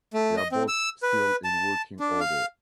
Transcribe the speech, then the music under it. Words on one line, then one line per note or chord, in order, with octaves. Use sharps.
They are both still in working order.
A3
D#5
C4
E6
B4
A5
D4
F5